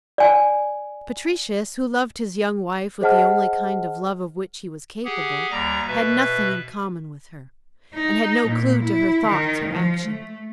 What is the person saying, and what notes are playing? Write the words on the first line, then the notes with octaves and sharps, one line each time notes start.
Patricius, who loved his young wife with the only kind of love of which he was capable, had nothing in common with her, and had no clue to her thoughts or actions.
D5 G#5
G#4 C5 D#5 F#5 A5 F6
G4 G#4 F#5
D#2 G3 A#5 A#6
B2 B4 E5
D#4
A#2
E4
D#3
F3
A3